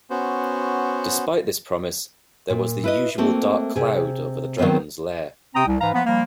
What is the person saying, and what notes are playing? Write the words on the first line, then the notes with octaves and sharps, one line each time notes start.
Despite this promise there was the usual dark cloud over the dragon's lair.
B3 C#4 F#4 C5
A#2
E4 B4 D#5
A3 A#3 C4 F#4 A4
C3 G#4
D#3 F#3 B3 C4 F4
C3 C4 G5 A#5 D#6
C2
G#2 E3 B4 F5 A#5
F3 A#3 B3
F3 G3 A#3